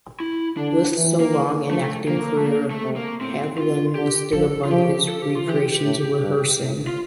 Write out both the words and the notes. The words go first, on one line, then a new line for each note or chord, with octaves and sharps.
With so long an acting career Haviland listed among his recreations "rehearsing".
E4
D3 D4
E3
A#3
F3 A3
F3 A#3
A3
D3 A#3
A3
C3
A#3
A2 C4
F4
D3 G4
F3 A4
F4
F3 G4
A4
G4
F4
E3 G4
A2
G2
A2
F4